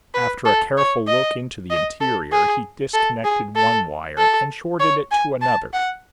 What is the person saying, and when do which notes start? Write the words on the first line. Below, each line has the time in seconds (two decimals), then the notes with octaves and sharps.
After a careful look into the interior he disconnected one wire and shorted it to another.
0.14 B4
0.45 A4
0.77 C#5
1.07 D#5
1.70 D#5
2.01 A4
2.32 G#4
2.93 A4
3.24 G#4
3.56 A4
4.17 A4
4.79 C#5
5.11 G#5
5.41 A5
5.73 F#5